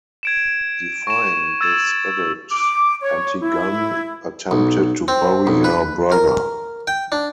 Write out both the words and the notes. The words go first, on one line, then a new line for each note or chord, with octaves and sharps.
Defying this edict, Antigone attempted to bury her brother.
G#6 D7 E7
C#6 E7
E6 G#6 A6 E7
D6
C#5
E4
B1
C4
B1
B4
A#4
G5
D4